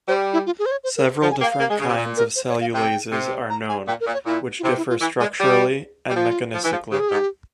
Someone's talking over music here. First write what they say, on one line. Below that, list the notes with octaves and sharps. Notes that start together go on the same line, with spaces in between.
Several different kinds of cellulases are known, which differ structurally and mechanistically.
G3 C5
E4
F4
G#4
C5
C#5
C5
A#4
F3
G#5
A#3 G5
F5
A#3
G#3
C#3
C3
A#2
A#4
C5
C#5
F5
C3 G5
C3
A#5
G#5
A#2 G5
A#4
A#2
C#5
A#2 E4
F4
C3 E4
E4
F4
E3
G#3
G3
G3
F3 F4
F3
E3
F3
C#3 G4
G#4
G#2 G4